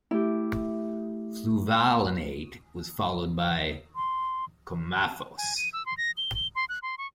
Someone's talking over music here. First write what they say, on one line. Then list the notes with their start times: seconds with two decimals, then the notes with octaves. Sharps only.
Fluvalinate was followed by coumaphos.
0.11 A3 E4 G4
3.96 C6
5.38 G#5
5.57 D#7
5.73 E6
5.86 C6
5.97 A#6
6.17 G7
6.35 G7
6.55 C6
6.69 F#6
6.82 C6
6.98 C#6